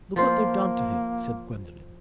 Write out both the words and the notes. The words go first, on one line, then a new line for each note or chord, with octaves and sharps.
"Look what they've done to him," said Gwendolen.
F3 A#3 F4 C5